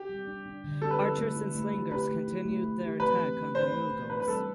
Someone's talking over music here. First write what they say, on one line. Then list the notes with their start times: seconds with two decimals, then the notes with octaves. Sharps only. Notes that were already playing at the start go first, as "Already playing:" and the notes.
Archers and slingers continued their attack on the Mughals.
Already playing: G4
0.09 G3
0.27 D4
0.46 D4
0.64 D3
0.82 G4 A4
0.91 B4
1.00 E4 A4
1.18 A3
1.37 E4
1.55 A3
1.73 G4
1.91 G4 B4
2.10 A3
2.27 E4
2.45 A3
2.64 A3
2.82 G4
3.00 E3 B4
3.19 C4
3.37 A3
3.55 E3 C5
3.73 A3
3.91 E3
4.10 D4 B4
4.20 B4
4.28 G3 A4